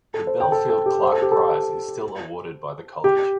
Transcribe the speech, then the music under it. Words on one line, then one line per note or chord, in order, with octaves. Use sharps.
The Belfield Clarke Prize is still awarded by the college.
A4
C5
G5
A4
A4
G4
C5
A4
G4
A4
G4